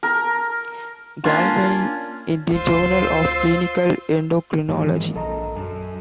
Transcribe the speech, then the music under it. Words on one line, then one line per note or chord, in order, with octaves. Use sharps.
Gallwey in the "Journal of Clinical Endocrinology".
A#4
A#3 C#4 D4 F4
D2 D3 F4 C5 C6 E6
G#2 D#3 E3 F#3
A#1 A4 D#5 A#5
F#2 A4